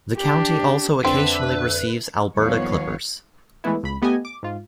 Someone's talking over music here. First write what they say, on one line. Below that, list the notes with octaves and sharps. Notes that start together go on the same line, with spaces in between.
The county also occasionally receives Alberta clippers.
D4 G4
F2 D3 C4 D4 B4 E5
D#2 F3 G3 B3 C#5 F5
E3 G#3 A3 B3 E4
C#2 B5
A3 B3 G4 D#5 G#5
D6
G#2 F4